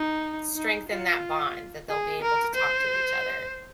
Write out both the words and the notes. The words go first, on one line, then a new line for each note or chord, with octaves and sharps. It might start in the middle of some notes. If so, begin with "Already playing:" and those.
strengthen that bond that they'll be able to talk to each other.
Already playing: D#4
D#4
F4
G#4
A#4
C5